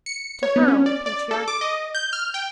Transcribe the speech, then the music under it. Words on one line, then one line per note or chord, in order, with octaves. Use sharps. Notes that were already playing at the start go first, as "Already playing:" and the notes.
To her, old patriarch!
C#7
C#5
B3
C#4
D5
D5
A4
D6
D#5
G6
F6
G5